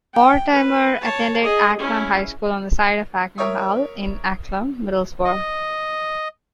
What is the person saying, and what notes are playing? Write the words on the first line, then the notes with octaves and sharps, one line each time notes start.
Mortimer attended Acklam High School on the site of Acklam Hall in Acklam, Middlesbrough.
G5
B4
C#5 A5
G#4 D#5
C#4 E4
A#4 C#5 E5 C#6 D#6
D#5